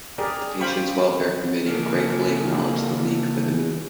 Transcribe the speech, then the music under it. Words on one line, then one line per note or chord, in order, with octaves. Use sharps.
The Patients’ Welfare Committee gratefully acknowledged the league for the move.
G4 G#4 A#4 D5
C5 F5 G5 B5 C#6
C#3 A#3